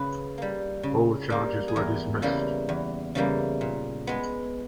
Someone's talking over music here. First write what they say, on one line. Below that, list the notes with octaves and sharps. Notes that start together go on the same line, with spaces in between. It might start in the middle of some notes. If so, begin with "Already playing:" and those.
All the charges were dismissed.
Already playing: C#3 B4
G3 A#3
C#3
G3 A#3
G#4
E2 A#4
C#3 E3 G3 A#3
E2
C#3 E3 G3 A#3
A#2
G#3 B3